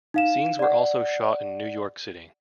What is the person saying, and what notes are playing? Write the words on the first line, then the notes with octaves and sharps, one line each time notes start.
Scenes were also shot in New York City.
D#4 F5 E7
D5 F#5